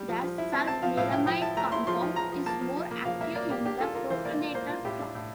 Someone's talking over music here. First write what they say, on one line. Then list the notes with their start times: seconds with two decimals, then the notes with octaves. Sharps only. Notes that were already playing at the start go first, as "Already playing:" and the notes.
The sulfanilamide compound is more active in the protonated form.
Already playing: G3
0.09 F3
0.23 F3
0.38 E4
0.53 C4
0.68 C4 A5
0.82 F3 F5
0.97 A2 F5
1.12 E4 G5
1.27 F3 G5
1.42 E4 A5
1.57 A3 A#5
1.72 E4 C6
1.87 F3 C6
2.02 F3
2.16 F3 A#5
2.32 F3
2.46 A#3 A5
2.61 F3
2.76 F3
2.91 A#3
3.05 F3 F5
3.21 A#3 E5
3.35 A#3 D5
3.50 A#3 G4
3.65 D4 G4
3.81 F4 A4
3.95 F4 A#4
4.10 E3 C5
4.25 A#3 D5
4.40 F4
4.55 A#3 C5
4.70 F4
4.85 A2 G4
4.99 D4
5.15 A2